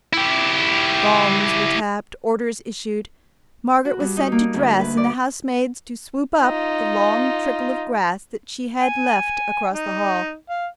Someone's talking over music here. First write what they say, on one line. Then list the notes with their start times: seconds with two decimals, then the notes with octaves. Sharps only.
Gongs were tapped, orders issued, Margaret was sent to dress, and the housemaid to sweep up the long trickle of grass that she had left across the hall.
0.13 E4 G4
3.85 F#4
4.00 G2
4.17 D#4
4.32 A#3
4.54 D2
4.80 B4
4.97 D5
6.41 D#4 F4
8.80 G#5
9.72 D#4
10.49 F5